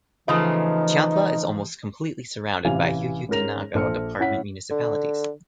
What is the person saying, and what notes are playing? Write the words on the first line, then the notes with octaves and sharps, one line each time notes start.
Chiantla is almost completely surrounded by Huehuetenango Department municipalities.
C#3 E3 F3 A3 D#4 D#5
A1 C3 E3 F5 G#5 F7
G#2 C#4 A#4 A#6 F7
A#1 A4 C5 F6 C#7
C#4 E4 F#5 B6
D3